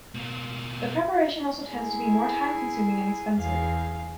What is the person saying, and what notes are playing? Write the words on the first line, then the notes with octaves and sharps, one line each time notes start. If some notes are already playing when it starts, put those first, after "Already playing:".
The preparation also tends to be more time consuming and expensive.
B2 A#3
E4 G#4
E2 G#4 F5